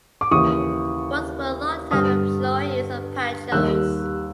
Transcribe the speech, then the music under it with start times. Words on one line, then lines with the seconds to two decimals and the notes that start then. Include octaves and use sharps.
Both were long time employees of Pancho's.
0.21 D6
0.31 D#2 C#3 E3 C#6 D#6
1.91 G2 D3 G3 D#6 F6
3.52 D#2 D#3 G3 E6 F#6